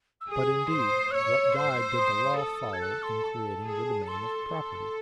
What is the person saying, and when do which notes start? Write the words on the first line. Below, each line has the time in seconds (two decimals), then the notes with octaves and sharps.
But, indeed, what guide did the law follow in creating the domain of property?
0.21 E6
0.31 G#4 D#6
0.72 C5
1.10 F#6
1.14 C#5 E6
1.56 C5
1.98 D#6
2.39 A4
2.73 G#6
2.81 F#6
3.02 C6
3.23 A5
3.65 G#4
4.07 A4 C6
4.48 A4